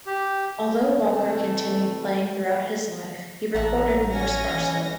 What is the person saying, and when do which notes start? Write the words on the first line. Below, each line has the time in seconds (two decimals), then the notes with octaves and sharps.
Although Walker continued playing throughout his life, he recorded more sparsely.
0.06 G4
0.86 C3 E3 G3 A3 C4
3.54 A1 A4 E5 F#5 A#5
4.13 C#4 C#5 G#5 A#6
4.55 E3